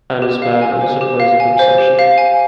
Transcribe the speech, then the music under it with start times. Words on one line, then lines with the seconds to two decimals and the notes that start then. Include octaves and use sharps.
Anna's band also plays at the reception.
0.22 G4
0.42 F5
0.62 G#5
0.81 C5
1.01 G4
1.20 F5
1.40 G#5
1.59 C5
1.78 G4
1.99 F5
2.18 G#5